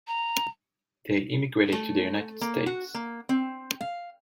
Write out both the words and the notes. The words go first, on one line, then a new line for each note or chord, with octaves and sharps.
They emigrated to the United States.
A#5
A3
A#3
F#4
A#3
C4
F5